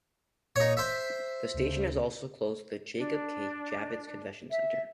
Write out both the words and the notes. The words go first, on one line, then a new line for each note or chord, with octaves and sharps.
The station is also close to the Jacob K. Javits Convention Center.
A#2 D#4 C#5
C5 E5 B6
D2 C#3
D4
E5